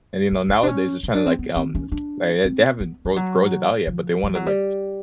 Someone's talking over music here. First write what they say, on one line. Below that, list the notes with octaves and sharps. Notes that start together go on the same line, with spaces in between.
And, you know, nowadays, it's trying to, like, um like, they they haven't rolled rolled it out yet, but they wanna, like,
C#4
C#4
D4
C#4
C#4
D4
C4
B3
C4
C#4
D4
C4
B3
F3
F#3
F3
F3
F#3
G3